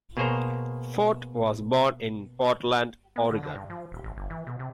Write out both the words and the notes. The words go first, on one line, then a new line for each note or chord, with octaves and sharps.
Forte was born in Portland, Oregon.
B2 A#3 G#4 C5 C#5 A#5
B3
D3
D3
G2
F3
D#1
A1
G1
E3
B2
C3